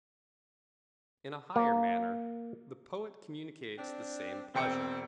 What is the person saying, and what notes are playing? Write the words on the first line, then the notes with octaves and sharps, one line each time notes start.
In a higher manner, the poet communicates the same pleasure.
A#3
C4 D4
E1 C4 G5 C#7